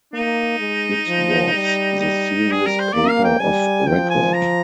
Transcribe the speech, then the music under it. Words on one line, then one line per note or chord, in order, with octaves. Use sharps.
It was the serious paper of record.
A#3 D#4
G#3
F3
G3
D#4
G3 G#4
A#4
C5
A#3 D5
F5
G5
G3 G#5
F3 G5
G#5
A#5